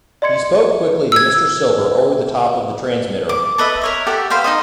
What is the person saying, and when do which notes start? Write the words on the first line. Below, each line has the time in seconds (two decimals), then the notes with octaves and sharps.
He spoke quickly to Mr. Silver over the top of the transmitter.
0.22 D5 D#5 C6 G#6 C#7
1.12 E6 G#6
3.29 D6
3.58 A4 B4 D#5 E5
3.82 A#4 C#5 E5
4.06 G4 A4 E5 F#5
4.30 B4 C5 F5 G5
4.44 D#4 A4 D#5